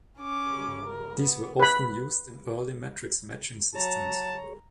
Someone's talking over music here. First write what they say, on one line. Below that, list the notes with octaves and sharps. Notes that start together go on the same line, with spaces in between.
These were often used in early matrix-matching systems.
C#4 D6
A#4
B3
B4 B5
F#3 C#5 A5 A#5